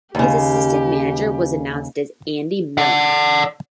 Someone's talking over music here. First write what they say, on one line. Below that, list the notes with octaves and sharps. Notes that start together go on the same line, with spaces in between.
His assistant manager was announced as Andy Millen.
D#2 C#3 G4
D5 F#5